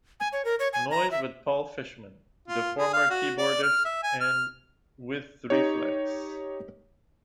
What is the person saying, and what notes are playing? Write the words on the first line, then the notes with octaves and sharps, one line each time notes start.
Noise with Paul Fishman, the former keyboardist with Re-Flex.
G#5
C#5
A#4
C#5
G#5
A#5
E5
F4
G#4
F5
F#4
D5
F6
E5
G#5
F6
D#4 G4 C#5